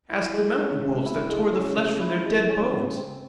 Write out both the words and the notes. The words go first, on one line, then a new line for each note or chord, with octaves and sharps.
Ask the mountain wolves that tore the flesh from their dead bones.
E4
G#3
C#4
C#3
E4
G#3
C#4
C#3
E4
G#3
C#4
C#3
C4